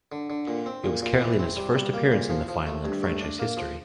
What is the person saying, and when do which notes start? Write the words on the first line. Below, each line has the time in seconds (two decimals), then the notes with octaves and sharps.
It was Carolina's first appearance in the Final in franchise history.
0.12 D3
0.30 D3
0.48 A#2
0.66 C4
0.84 A#2
1.02 A#2
1.21 E3
1.39 C4
1.57 G3
1.75 G3
1.94 A#3
2.12 A#2
2.30 F3
2.48 F3
2.67 A3
2.85 G2
3.03 A3
3.21 D4
3.39 A#3
3.57 F3